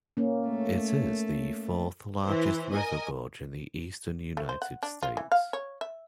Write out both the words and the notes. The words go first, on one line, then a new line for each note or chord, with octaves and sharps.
It is the fourth largest river gorge in the Eastern United States.
A#3 C#4
A3
E3 C5
A#4 D#5 G#5
A3
C5
F#5
D4
F4
E3
F5
C#5
E5